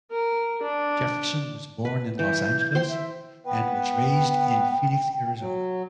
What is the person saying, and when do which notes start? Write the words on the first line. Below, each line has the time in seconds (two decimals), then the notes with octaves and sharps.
Jefferson was born in Los Angeles and was raised in Phoenix, Arizona.
0.11 A#4
0.63 D4
1.85 B4
2.19 E3 G6
2.75 C5 G5 C6
2.89 E5
3.46 B3 B4 G5
5.39 F#3